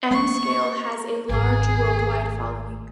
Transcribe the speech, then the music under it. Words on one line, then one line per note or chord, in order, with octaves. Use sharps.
N scale has a large worldwide following.
A#3 B3 C#6
G#1 G#4